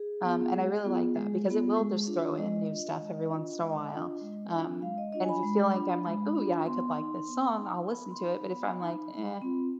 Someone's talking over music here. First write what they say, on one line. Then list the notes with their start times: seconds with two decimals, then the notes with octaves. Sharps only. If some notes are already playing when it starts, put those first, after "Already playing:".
um, and I really like that because it will just throw in new stuff every once in a while. Um, and if I feel like I'm like, "Ooh, yeah. I could like this song." I'll listen to it, but if I'm like, "Eh,"
Already playing: G#4
0.23 B3 F4
0.54 G#3
0.85 B3 F4
1.15 G#3
1.46 B3 F4
1.77 G#3
2.07 D4 F4
2.38 G#3 D#5
2.69 D4 F4
2.99 G#3
3.29 D4 F4
3.60 G#3
3.91 D4 F4
4.21 G#3
4.52 D4 F4
4.82 G#3 F5
4.98 D#5
5.13 D4 F4 D#5
5.23 G#5
5.29 B5
5.43 G#3 B5
5.74 D4 F4
6.06 G#3
6.35 D4 F4
6.66 B3 C6
6.96 D#4
7.28 B3
7.57 D#4
7.89 B3 B5
8.11 C6
8.19 D#4 B5
8.49 B3 B5
8.80 D#4
9.11 G3
9.42 C4 F4